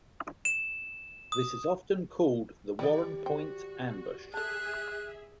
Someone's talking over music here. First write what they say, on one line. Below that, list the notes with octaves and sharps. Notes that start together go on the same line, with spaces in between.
This is often called the Warrenpoint ambush.
E7
D#6
D#3 G3 G4 D5 D#5
F#4 C5 G5
G#4 A4 E5 A5 F#6